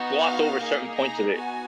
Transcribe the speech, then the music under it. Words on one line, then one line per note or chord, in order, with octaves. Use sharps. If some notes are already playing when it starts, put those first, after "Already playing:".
gloss over certain points of it,
Already playing: B3 D#4 F#4
F5
A#3 D#4 G#4
A#5
B3 D#4 F#4 G#5